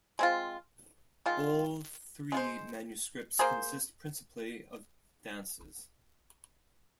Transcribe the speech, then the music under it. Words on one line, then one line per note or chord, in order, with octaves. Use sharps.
All three manuscripts consist principally of dances.
G#3 C4 F4
D#3 G#3 F4
G#3 F4 C5
A#3 G#4 C5